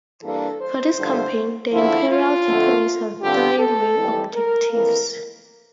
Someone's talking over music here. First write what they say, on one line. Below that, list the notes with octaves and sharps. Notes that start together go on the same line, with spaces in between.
For this campaign, the Imperial Japanese had three main objectives.
G2 E3 A#3 D4 A4
C5
G2 D3 F3 A3
E2 D3 F3 A3 E4
F4
F2 D3 A3
G2 D3 F3 C4 G4
A4
F2 E3 G3
A#4
F2 E3 A#3 A#4